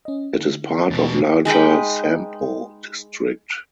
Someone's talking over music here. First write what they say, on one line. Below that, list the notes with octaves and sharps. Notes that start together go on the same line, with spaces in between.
It is part of larger Sampo district.
C#4 D#5
D3
E2 B2 A6
G#3 D#4 B4 G5